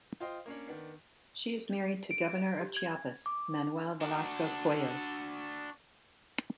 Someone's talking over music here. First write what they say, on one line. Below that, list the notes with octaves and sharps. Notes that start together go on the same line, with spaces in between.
She is married to Governor of Chiapas, Manuel Velasco Coello.
F4 C5 D#5 G5
A#3 C#4 D4
D#3 B3 D4
D7
G4
G#6
D6
D4 F#4